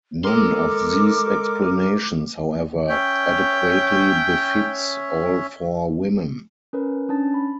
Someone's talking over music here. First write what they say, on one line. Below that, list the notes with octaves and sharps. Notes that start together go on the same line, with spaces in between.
None of these explanations, however, adequately befits all four women.
G#3 A4 A#4 C6 D6
C#4 C#5 E5 G5
C#4 A#4 B4
C#4 D4 A5 A6
B5